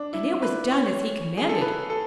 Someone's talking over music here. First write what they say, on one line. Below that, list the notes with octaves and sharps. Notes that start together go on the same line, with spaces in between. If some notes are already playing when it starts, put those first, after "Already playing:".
And it was done as he commanded.
Already playing: D4
E4
B4
C#5
G#4
A4
B4
A4